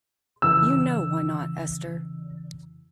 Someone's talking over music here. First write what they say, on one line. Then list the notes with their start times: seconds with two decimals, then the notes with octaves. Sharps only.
You know why not, Esther.
0.42 F2 C#3 E3 E6